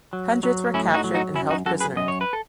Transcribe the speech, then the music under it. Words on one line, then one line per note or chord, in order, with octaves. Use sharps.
Hundreds were captured and held prisoner.
F#3
F#3
A2 C#4 E4
D#4 F#4
F#3
D#4 F#4
F#2 C#4 E4
D#4 F#4
F#2 F#4 A4
G#4 B4
F#2 D#5
C#5
B4
A4